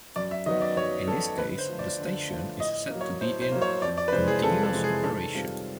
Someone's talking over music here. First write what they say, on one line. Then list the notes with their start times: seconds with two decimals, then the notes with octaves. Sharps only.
In this case the station is said to be in "continuous operation".
0.16 F#2 D5
0.31 E5
0.46 D#3 F#3 B3 D#5
0.62 D5
0.77 F#2 C#5
1.07 D#3 F#3 B3 A4
1.38 D3 B4
1.58 C5
1.69 F3 A3
1.79 D5
1.99 D3
2.29 F3 A3
2.60 A2 D#5
2.91 F#3 A#3
3.01 C#5
3.21 A2 C5
3.42 C5
3.52 F#3 A#3
3.62 C#5
3.82 F2 D5
3.97 D5
4.08 B4
4.13 C3 E3 G#3 C5
4.28 G#4
4.43 F2 A4
4.63 A4
4.73 C3 E3 G#3
4.84 G#4
5.04 D#3 A4
5.35 G3 C4 F4